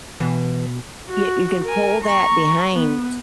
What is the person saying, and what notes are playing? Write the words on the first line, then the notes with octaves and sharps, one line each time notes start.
yeah, you can pull that behind.
B2 E3
F#4
A#4 G#5
A#5 C#6
B3